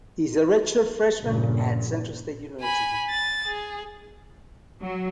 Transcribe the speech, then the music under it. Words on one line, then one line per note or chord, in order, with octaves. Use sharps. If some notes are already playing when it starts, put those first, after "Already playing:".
He is a redshirt freshman at Central State University.
A#1 G2 A#2 C#3
G#5 B5
A6
G#4
F#3